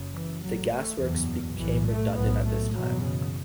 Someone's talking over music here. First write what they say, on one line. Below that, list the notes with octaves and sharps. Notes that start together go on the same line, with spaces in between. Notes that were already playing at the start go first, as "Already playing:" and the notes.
The gas works became redundant at this time.
Already playing: F#1 F#2 C#3
E3
A1 A2 F#3
A3
F#1 E2 B2 E3
B1 A2 E3
A3
B1 A2 B3
A3
F#1 E2 B2 F#3
C#3